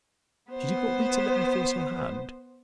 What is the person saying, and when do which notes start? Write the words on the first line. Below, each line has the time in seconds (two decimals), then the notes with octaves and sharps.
She did not wait to let me force her hand.
0.52 B3 C5